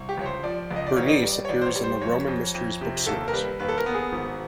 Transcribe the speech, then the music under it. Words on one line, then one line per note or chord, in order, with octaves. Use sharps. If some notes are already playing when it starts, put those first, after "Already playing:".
Berenice appears in the Roman Mysteries book series.
Already playing: C2
G4
C#2 C#5
C5
F3 D5
C#2
D#5
D5
A1 C#5
D#5
D5
G3
C#5
A1 D5
C5
C#5
G3
C5
F2 C#5
F2
F2
C3
D#2 A4
A#4
G3 B4
D#2 B4
A4
A#4
B3
G#4
G#1